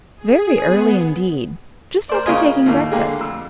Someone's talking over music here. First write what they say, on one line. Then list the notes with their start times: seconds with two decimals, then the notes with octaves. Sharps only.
Very early, indeed--just after taking breakfast.
0.17 G#4
0.61 B3
2.09 A#4 C5 D5
2.26 C#3 A#3 F4 D#5 G#5
2.66 D#2 A2 A#3
2.91 D3 A#3 G4 G#4
3.20 F2 E6